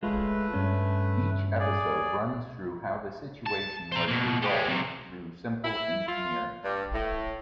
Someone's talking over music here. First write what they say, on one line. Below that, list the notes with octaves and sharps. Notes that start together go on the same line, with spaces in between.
Each episode runs through how the situation was resolved through simple engineering.
G#3 A3 F4 B4
G2 C#4
G#4 D5
A5
C5 A#5
B2 A#3
G3 G#3
C3 F#3
E4
F4
G2
A2